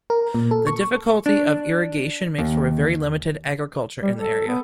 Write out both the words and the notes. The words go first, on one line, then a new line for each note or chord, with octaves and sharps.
The difficulty of irrigation makes for a very limited agriculture in the area.
A#4
A#2
A4
C#6
D4
D#2
G3
A4
B3